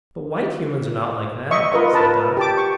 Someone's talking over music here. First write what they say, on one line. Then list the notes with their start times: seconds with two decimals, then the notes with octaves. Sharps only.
"But white Humans are not like that," said Dot.
1.51 D#5 E5 C#6
1.72 F4 A#4 B4 D#5 C#6
1.93 A#4 B4 A5
2.37 G4 A5 D6
2.57 C#6